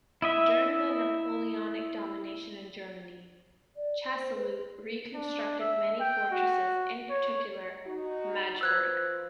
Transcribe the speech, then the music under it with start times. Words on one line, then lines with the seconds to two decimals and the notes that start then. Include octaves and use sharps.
During the Napoleonic domination in Germany, Chasseloup reconstructed many fortresses, in particular Magdeburg.
0.22 E4 D#5 E5
3.75 D5
4.06 C5
4.36 B4
5.14 D4
5.60 E5
6.00 G5
6.32 F#4
7.10 C#5
7.86 D#4 F#4
8.61 F3 B4 C5 E6 F#6 G#6